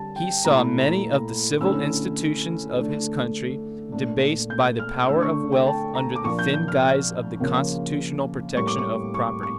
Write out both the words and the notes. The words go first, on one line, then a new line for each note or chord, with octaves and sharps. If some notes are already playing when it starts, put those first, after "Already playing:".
He saw many of the civil institutions of his country debased by the power of wealth under the thin guise of the constitutional protection of property.
Already playing: D3 G3 A5
G5
A#2 A3 E4 A#5
D3 A3 C#4 E4 E6
D3 A3 D4
A#2 A3 D4
G6
F6
D3 A3 D4 E6
C#6
G5
A5
A#5
D6
A#2 F3 A#3 D4 C#6
G6
G6
F6
F6
C#3 F3 A#3
A2 G3 A#3 C#6
D6
C#6
C#6
C#6